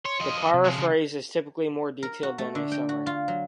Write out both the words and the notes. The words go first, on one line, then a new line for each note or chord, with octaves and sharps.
A paraphrase is typically more detailed than a summary.
C#5 C6
F3 D#5
C3
F3 G#3
C#3 F4
A#4
F#4
A3
D3
G5
F#4
F4
F#3